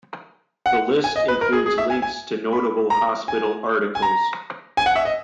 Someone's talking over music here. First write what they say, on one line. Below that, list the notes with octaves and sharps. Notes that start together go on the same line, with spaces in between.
The list includes links to notable hospital articles.
F#5
G#5
D#5
B4
A#4
G#4
G#4
E5
G#5
G#5
B5
A#5
G#5
G#5
A#5
G#5
F#5
E5
D#5